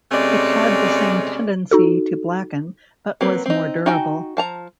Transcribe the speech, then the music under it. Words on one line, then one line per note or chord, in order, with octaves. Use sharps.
It had the same tendency to blacken, but was more durable.
C3 G#3 A3 C#4 D5
D#4 F#4 A4
F#3 A#3 C4 B4
C4 D#4
D#4 F#4 G5 G#5
F3 A5 A#5